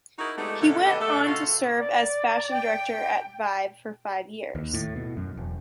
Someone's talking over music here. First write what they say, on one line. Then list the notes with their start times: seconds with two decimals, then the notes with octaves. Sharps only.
He went on to serve as fashion director at "Vibe" for five years.
0.19 D#4 E4 F#4 G#4 A#4
0.38 G#3 A3 B3 D4 D#4 G4
0.61 D3 F#3 A3 C#4 A4
0.85 B3 D4 G4 A4 D#5
1.00 A3 A4
1.26 C#3 F4 F#4 A4
1.79 D5
2.50 G5
4.55 D#2
4.74 A2
4.96 B2
5.17 F#2
5.37 E1